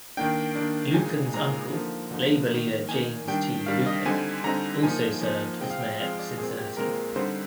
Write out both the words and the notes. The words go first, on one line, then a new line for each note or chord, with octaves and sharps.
Luken's uncle, labor leader James T. Luken, also served as mayor of Cincinnati.
D#3 A#3 D4 G5
D#3 A#3 D4
A#2 G#3 D#4 G#5
A#2 G#3 D#4 A#5
D3 F3 A#3 D#4
D3 F3 A#3 D#4
D#3 A#3 D#4
D#3 A#3 D#4 G#5
D#3 G3 D4 G5
D#3 G3 D4 F5
D#5
D3 G3 C4 D#4 G#5
D3 G3 C4 D#4 A#5
F3 A#3 D#4 G#5
F3 A#3 D#4
F3 G#3 C4 G5
F5
G5
F3 G#3 C4 F5
D5
A#2 G#3 C4 G#4
G4
A#2 G#3 C4 A#4
D3 G3 C4 D#4 C5